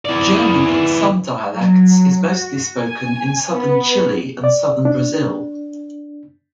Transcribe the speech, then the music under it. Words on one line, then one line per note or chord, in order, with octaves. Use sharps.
German in some dialects is mostly spoken in Southern Chile and Southern Brazil.
E3 D5
F#3
F#4
G#5
B3
D5
D4